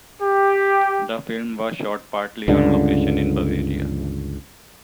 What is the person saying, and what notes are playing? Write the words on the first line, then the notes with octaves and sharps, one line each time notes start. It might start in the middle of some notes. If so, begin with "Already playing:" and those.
The film was shot partly on location in Bavaria.
G4
C#2 G2 D3